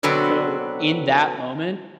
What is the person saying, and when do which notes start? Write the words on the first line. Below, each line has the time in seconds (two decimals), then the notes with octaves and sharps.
So, in that moment,
0.03 B2 D3 F#3 B3 C4